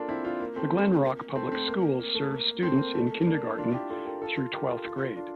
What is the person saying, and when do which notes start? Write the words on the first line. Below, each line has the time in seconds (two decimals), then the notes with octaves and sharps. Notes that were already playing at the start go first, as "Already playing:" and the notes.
The Glen Rock Public Schools serve students in kindergarten through twelfth grade.
Already playing: A#3 D4 F4 A4
0.09 C4 E4
0.24 D4 F4
0.40 A#3
0.56 A3 C4
1.04 A#3
1.36 A3 C4
1.51 A3 C4
1.67 A#3
1.99 A#3
2.15 A3
2.30 A#3
2.62 A3 C4
2.79 A#3
2.94 A3
3.10 A#3
3.25 A#3 D4
3.58 D4 F4
3.73 E4 G4
3.90 F4 A4
4.05 G4 A#4
4.22 F4 A4
4.37 F4 A4
4.53 G4 A#4
4.69 F4 A4
4.85 F4 A4
5.16 D4 F4